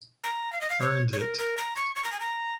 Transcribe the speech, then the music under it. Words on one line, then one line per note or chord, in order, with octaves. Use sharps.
Earned it!
A#5
F5
D#5
F5
C#5
C#5
A#4
A#4
A#5
C#6
C#6
A#5
G#5
A#5